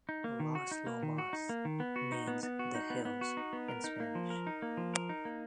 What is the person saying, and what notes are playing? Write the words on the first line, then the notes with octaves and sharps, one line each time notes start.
Las Lomas means "the hills" in Spanish.
D#4
A#3
D#3
F#4
D#4
A#3
D#3
F#4
D#4
A#3
D#3
B3
F#4
D#4
B3
B3
F#4
D#4
B3
B3
F#4
D#4
B3
A#4
D#4
A#3
F3
A#4
D#4
A#3
F3
A#4
D#4
A#3